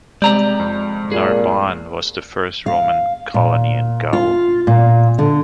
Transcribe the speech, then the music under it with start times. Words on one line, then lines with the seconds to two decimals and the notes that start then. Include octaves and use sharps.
Narbonne was the first Roman colony in Gaul.
0.22 C3 G#3 D5 A#5 G6
0.60 F2
1.12 A#2 G#4
2.66 F5
3.34 A#2
4.13 F4
4.67 A#2
5.19 D3